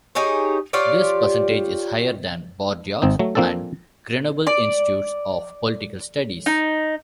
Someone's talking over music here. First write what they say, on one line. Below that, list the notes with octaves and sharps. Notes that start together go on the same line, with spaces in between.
This percentage is higher than in Bordeaux and Grenoble Institutes of Political Studies.
D#4 G4 G#4 C#5
F4 G4 C#5 D5
G#1 C4 D#4
F#3 A3
F3 A#3 C4 D4 A4
D5
D#4